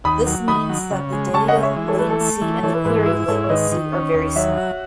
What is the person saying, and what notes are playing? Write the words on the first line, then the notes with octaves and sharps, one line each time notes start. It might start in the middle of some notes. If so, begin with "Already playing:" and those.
This means that the data latency and query latency are very small.
D#2 B5 D#6
F#3
D#3 B5 D#6
F#3
C#3
G#3
C#3 A5 C#6
D#5 F#5
G#3
C#5 E5
E3
A4 C#5
A3 B4
A4
A3
E3
E3 A4 C#5
B4
G#2 B4
A4
E4 B4
G#2 A4 C#5
C#5
D#3 B4 D#5
D#3
C#4
D#2
F#3 C#5 E5
F#4